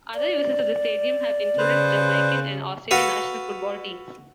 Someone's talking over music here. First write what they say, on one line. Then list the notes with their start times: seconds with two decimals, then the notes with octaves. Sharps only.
Other users of the stadium have included the Jamaican and Australian national football teams.
0.15 D5
1.58 C#3 B4 C5
2.91 F#4 A4 B4 F5